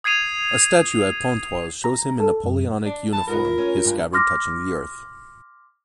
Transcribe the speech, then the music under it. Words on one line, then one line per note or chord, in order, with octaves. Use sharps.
A statue at Pontoise shows him in Napoleonic uniform, his scabbard touching the earth.
D#6 G#6 C7 D#7 F7
A#5
A4
F#2
D4
E3 A5
G#2 D#4 F4 A#4 B4
E4
C#4
G2 C#3 D4
C6 D6 F6 A#6